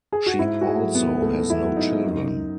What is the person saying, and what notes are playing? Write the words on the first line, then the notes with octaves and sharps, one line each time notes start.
She also has no children.
G#4
F#4
G#2 E4
F#4
G#4
F#3 A3
B3
G#2 A3
E4
F#3 A3
D#4
F#2